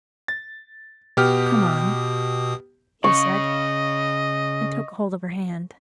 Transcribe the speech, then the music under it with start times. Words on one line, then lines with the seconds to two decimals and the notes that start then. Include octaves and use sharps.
"Come on," he said and took hold of her hand.
0.28 A6
1.17 B2 B3 G4 D#6 F6
3.04 C#3 D#5 C#6